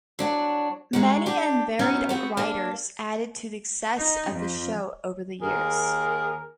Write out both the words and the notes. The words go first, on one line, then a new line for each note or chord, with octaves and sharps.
Many and varied writers added to the success of the show over the years.
F#3 D4 F#4
G#3 D#4 F#4
D4 G4
F#2 F#3 B3 C#4 D#4
B3 C4 F#4
A#3 D4
D#4
F2
D#2 G#4 A#4